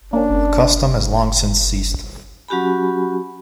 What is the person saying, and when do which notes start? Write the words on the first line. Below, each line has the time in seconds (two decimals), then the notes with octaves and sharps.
The custom has long since ceased.
0.13 A#3 C#4 D4
2.48 F#3 C#4 F#4 G4 G#5 B5